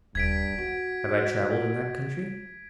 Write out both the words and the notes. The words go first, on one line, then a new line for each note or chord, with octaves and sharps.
Have I travelled in that country?
D#1 G2 G#6 B6 D7
C4 F#4